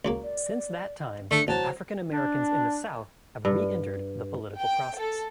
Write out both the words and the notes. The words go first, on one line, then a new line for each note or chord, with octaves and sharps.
Since that time, African Americans in the South have re-entered the political process.
C#2 F#3 A#3
D5
D3 A3 D4 C#7
A1 F#3 C5 A5
D4
G2
G5
A4